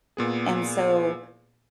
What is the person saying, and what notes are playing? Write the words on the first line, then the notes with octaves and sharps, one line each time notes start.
and so
A#2 B3 G#4